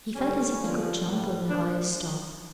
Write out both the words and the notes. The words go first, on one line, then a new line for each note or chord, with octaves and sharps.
He felt as if he could jump over the highest star.
G2 D3 G3 C#4
G2 D3 F3
A2 E3 G3
A#2 F3 D4